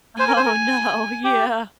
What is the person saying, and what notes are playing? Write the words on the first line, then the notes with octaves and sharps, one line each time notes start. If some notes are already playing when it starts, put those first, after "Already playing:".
Oh, no. Yeah.
C5 G#5
A#4
C5
A#4
G4